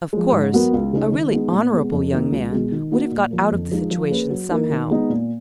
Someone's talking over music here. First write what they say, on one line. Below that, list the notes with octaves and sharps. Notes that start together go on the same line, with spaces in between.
Of course, a really honourable young man would have got out of the situation somehow.
F3 G#3
G#2
F#3 B3 F#4 A#4
C#2
C#3 G#3 D#4
D#3
G#3 B3 D#4
A#2
G#3 B3
F2
D#3 A#3 D#4
C#2
B2 G#3
D#3
A#3 D#4 F#4
A#2
F3 A#3
F2
F3 G#3 D#4
F3
A#3 C#4 G#4 B4
F#3
A#3 D#4 A#4
D#3
G#3 B3 D#4
A#2